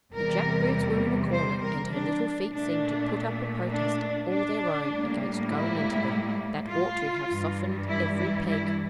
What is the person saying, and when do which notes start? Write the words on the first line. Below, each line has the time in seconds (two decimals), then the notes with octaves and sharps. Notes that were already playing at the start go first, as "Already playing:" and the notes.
The jack-boots were in a corner, and her little feet seemed to put up a protest all their own, against going into them, that ought to have softened every peg.
0.13 E2 C3 G3 A#4
1.32 C5
1.62 A#4
1.92 D4
2.51 A#2 A3 D4
3.70 D4
4.31 D4
4.90 A2 G3 A#3
5.49 E4
6.68 F4
7.28 G2 E3 G3
7.88 E4
8.17 E4
8.48 E4